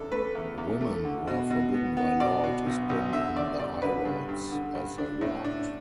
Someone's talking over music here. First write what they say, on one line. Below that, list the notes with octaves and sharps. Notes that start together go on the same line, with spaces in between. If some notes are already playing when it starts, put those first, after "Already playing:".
Women were forbidden by law to spin on the highroads as they walked.
Already playing: E2 D4 A4
A3 B4
E2
E2
A3
D3
B2
B2
B3
B3
B2 D5
B2
B1
B1
D3 E5
D3 D5
G2 D5
D3 B4
G2
G2
D3
G2
D4
A2
D4